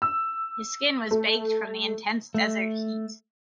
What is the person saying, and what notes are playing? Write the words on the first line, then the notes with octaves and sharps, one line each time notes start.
His skin was baked from the intense desert heat.
E6
A3
A3